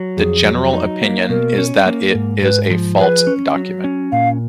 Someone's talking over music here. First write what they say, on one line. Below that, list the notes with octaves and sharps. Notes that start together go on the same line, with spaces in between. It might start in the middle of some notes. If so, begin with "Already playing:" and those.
The general opinion is that it is a false document.
Already playing: F#3
F2 G#4
F#3
D#4
A#3
B2 A#4
C#4
A#3
G#2
G#2 B4
F3
G#4 B4
C#4
F#3
C#4
A#2 F5